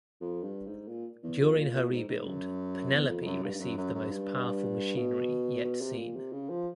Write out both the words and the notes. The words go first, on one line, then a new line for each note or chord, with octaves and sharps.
During her rebuild "Penelope" received the most powerful machinery yet seen.
F2
G2
G#2
A#2
E2
F2
A#2
A#2
G#2
G#2
F#2
E2
F2
F2
F#2
G2
G2
F#2
F#2
F#2
G2
B2
B2
C3
A#2
C3
C#3
F3